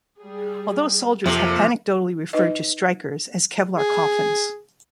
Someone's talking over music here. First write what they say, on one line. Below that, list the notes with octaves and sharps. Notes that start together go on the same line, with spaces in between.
Although soldiers have anecdotally referred to Strykers as Kevlar Coffins.
G3 G#4
F2 C3 F3 A#3 A4
D#4 B4 D#5
G#4